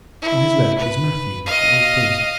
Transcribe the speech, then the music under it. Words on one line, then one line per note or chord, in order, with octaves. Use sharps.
On his left is Matthew, the old priest.
E4
B4
D#5 F5